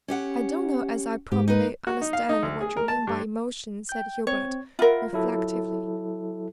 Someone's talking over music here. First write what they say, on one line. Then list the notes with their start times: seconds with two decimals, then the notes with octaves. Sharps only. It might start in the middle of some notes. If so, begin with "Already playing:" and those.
"I don't know as I properly understand what you mean by emotion," said Herbert, reflectively.
0.08 C#4 G4 F#5
1.31 G#2 G4
1.48 D#4 B4
1.87 F#4
2.01 D#4
2.13 F5
2.29 D#4
2.43 D2
2.61 G#4
2.77 A#4
2.88 A5
3.07 G2
3.89 G5 G6
4.27 C4 C#5
4.79 F4 A#4 E5 F#5 B5
5.13 F#3 E4 A4